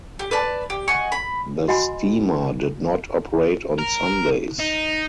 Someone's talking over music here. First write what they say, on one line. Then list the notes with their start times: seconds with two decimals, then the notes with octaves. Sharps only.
The steamer did not operate on Sundays.
0.19 G4
0.31 B4 D5 A5
0.70 G4
0.88 D#5 F#5 G#5 C#6
1.12 B5
1.68 F#4 D#5 F#5 G#5 B5 C6
3.79 A#4
4.59 D#4